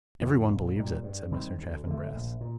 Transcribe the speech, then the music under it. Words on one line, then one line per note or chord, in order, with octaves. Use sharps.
"Every one believes it," said Mr. Chaffanbrass.
F2 D3 F3
A#1
A#2 G3
G2
D#3 G3 C4
D2
D3 A3
A#1
A#2